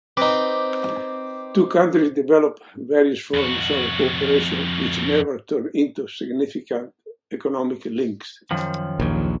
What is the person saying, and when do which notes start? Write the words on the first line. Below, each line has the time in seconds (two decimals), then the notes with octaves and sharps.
Two countries developed various forms of cooperation which never turned into significant economic links.
0.17 C4 D#4 B4 D6
3.34 F2 F#4
8.51 F#2 D#3 F3
9.00 A#1 D#2